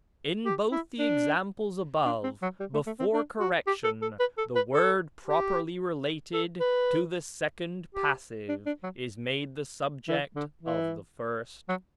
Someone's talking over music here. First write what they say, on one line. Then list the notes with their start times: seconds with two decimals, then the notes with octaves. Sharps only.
In both the examples above, before correction, the word properly related to the second passive is made the subject of the first.
0.45 G4
0.72 E4
0.99 D4
2.06 D4
2.23 C4
2.42 F#3
2.60 G3
2.73 A3
2.87 A3
2.99 C4
3.13 D4
3.40 F#4
3.67 G4
3.84 A4
4.02 A4
4.19 B4
4.38 A4
4.55 B4
4.74 A4
5.27 G4
6.33 A4
6.60 B4
7.95 G4
8.49 D4
8.66 D4
8.83 F#3
10.08 E3
10.35 D3
10.63 E3
11.69 F#3